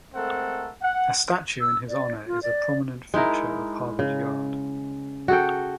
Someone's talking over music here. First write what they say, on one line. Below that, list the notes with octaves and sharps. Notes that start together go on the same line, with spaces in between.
A statue in his honor is a prominent feature of Harvard Yard.
G#3 A3 C4 A4 A#4 F#5
F#5
E6
D5
F4
D5
G#3 D#4 E4 A#4
C#3
F#4 G#4 A4 G5